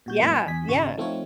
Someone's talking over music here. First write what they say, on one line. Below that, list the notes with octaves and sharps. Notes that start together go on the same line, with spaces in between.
Yeah, yeah,
A#2 F#4 G6
F2 A2 C3 F#3 G3 A#3
G#5
E2 G#5 B6
G#1 C#3 F#4 C#6
F3 A3 C4 D#4 F4 C#5